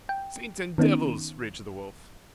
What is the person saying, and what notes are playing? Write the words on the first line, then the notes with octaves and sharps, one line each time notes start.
"Saints and devils!" raged the Wolf.
G5
D#3 B3 C#4 D#4